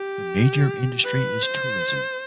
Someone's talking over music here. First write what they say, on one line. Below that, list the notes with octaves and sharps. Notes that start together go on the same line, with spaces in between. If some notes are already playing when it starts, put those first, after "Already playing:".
The major industry is tourism.
Already playing: G4
B4
C5